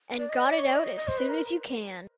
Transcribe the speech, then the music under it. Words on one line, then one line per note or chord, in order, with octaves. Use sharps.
And got it out as soon as you can.
D5
D#5
D5
C#5
D#5
D#5
C5
B4
A#4